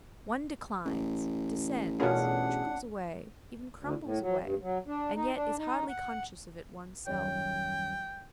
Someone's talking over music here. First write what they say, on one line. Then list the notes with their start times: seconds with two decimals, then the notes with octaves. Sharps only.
One declines, descends, trickles away, even crumbles away, and yet is hardly conscious of it one's self.
0.85 A1
2.00 B2 C#4 D4 F4 G#4 A#4 F#5
3.79 D2
4.03 A2
4.22 F#3
4.42 G2
4.62 F#3
4.87 D4
5.15 D#4
5.35 D4
5.58 D#4
5.89 F#5
7.07 D#1 F#2 C#5 G5